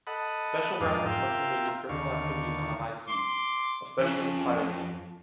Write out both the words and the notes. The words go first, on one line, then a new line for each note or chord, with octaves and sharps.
Special reference must be made to criminal activities on the high seas, especially to piracy.
A4 D#5 F#5 B5
F2 G#2 D4 D#4 F5
F4 A#4 E5 F5 G5 C6
D#2 D3 F5 C#6
C6 D6
F2 C#4 F4